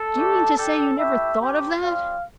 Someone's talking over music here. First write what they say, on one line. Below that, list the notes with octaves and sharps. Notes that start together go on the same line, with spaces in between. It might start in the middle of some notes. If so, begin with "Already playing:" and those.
Do you mean to say you never thought of that?
Already playing: A4
A3 D4 G4
G3 D4 G4 A4
A3 E4 G4 E5
A3 C4 G4
G3 C4 F4 F5